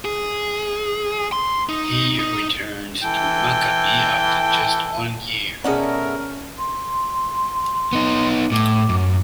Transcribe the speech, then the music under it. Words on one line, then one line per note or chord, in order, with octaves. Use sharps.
He returned to Maccabi after just one year.
G#4
C6
D#4
D#4
E3 A4 G5
B2 A3 C#4 G#4 A#4 D5 F#5
C6
B3 D#4
A2 D6
F#2